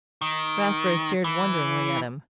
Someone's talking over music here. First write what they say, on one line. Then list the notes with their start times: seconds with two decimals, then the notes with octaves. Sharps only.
Rathbury stared wonderingly at him.
0.22 D#3
1.24 E3